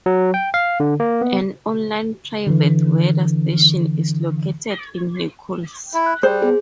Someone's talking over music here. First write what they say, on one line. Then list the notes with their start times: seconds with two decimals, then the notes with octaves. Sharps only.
An online private weather station is located in Nicholls.
0.06 F#3
0.34 G5
0.54 F5
0.80 D3
1.00 A#3
1.21 B3
2.47 D3 E3
5.94 E4 E5
6.06 F#6
6.23 G3 G#4 C5
6.42 B3 G#4